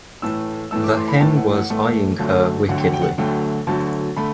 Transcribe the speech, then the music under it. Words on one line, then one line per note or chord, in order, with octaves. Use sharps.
The hen was eyeing her wickedly.
A2 E3 A3 E6
A2 E3 A3 E6
D6
C6
B5
G5
A2 E3 A3 A5
F#5
F#5
A2 E3 A3
D2 D3 F#3 A3
D2 D3 F#3 A3 F#5
G5
F#5
G5
F#5
D2 D3 F#3 A3 G5
D2 D3 F#3 A3 A5
D3 A3 B5